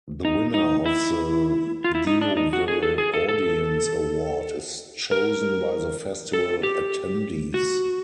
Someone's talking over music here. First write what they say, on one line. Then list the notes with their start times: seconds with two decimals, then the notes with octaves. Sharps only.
The winner of the Deauville Audience Award is chosen by the festival attendees.
0.25 D#4
0.54 D#4
0.86 E4
1.84 F4
1.95 E4
2.07 D#4
2.21 D4
2.37 D#4
2.53 F#4
2.68 G#4
2.83 A4
2.98 G#4
3.14 A4
3.29 A4
5.11 A#4
6.33 A4
6.63 G4
7.54 F#4